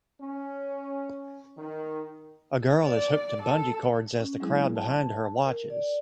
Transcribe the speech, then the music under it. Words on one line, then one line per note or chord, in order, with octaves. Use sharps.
A girl is hooked to bungee cords as the crowd behind her watches.
C#4
D#3
D5
A4
C#4
F#3 G#3 C4 E4 G#4
A5
A#4
D5